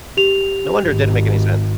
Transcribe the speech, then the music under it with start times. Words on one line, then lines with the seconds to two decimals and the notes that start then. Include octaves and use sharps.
No wonder it didn't make any sense."
0.17 G4 F7
0.85 G#1